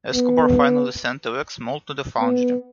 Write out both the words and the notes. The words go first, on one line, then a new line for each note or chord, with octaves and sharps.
Escobar finally sent a wax mold to the foundry.
B3
B3